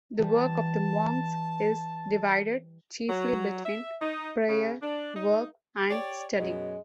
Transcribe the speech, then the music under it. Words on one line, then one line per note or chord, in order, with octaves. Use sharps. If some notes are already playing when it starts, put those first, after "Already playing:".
The work of the monks is divided chiefly between prayer, work and study.
E3 G3 A5
F#3
E5
D#4
C#3
D4
D#4
G4 C#5 D5
F#2 B2 F#3 G#3